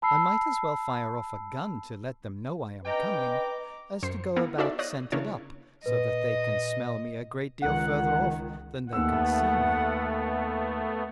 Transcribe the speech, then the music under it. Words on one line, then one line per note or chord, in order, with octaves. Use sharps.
I might as well fire off a gun to let them know I am coming, as to go about scented up so that they can smell me a great deal farther off than they can see me.
A5 B5 E6 C7
C#4 D4 B4 D#5 G5 A#5 D6
F#2 C5 C7
A#3 B3 E4 A#4 F5
D#4 F#4 A4 C5 D5 E5
C#5 D5 F5 D#6 F#6 A#6
C#3 A#3 D4 E4 C#5
A#2 B4 D#5
C#2 D#3 F#5
D#2 A3 B3 F#5 E6